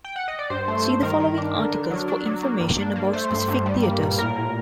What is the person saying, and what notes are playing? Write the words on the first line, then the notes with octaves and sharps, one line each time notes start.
See the following articles for information about specific theatres.
G5
F#5
D#5
D5
G2 C5
A3
G2
D#3 A#4
D#3
D4
D3
D3
F#3
D4
F#3
A#3
G2
D4
A#3
A3 C5
G2
G2
G3
A#3
A#2
A2 A#4
A2